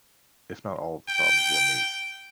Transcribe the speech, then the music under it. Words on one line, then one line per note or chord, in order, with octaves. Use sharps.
if not all of the problems, were me.
G5